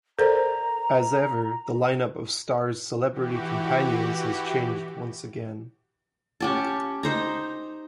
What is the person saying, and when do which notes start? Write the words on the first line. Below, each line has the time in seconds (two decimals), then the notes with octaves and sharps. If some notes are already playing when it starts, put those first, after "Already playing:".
As ever, the line-up of Starr's celebrity companions has changed once again.
0.19 A4 A#4 C5 D5 A#5
3.11 E3 F#4 G4
6.40 C#4 G4 A5
7.03 D#4 C5 A#5